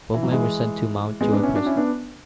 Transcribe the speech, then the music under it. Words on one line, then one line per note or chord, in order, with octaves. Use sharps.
Both men were sent to Mountjoy Prison.
E3
F#3
E3 G#3
G#3 B3
B3 D4
C#4 E4
D4 F#4
C#4 E4
B3 D4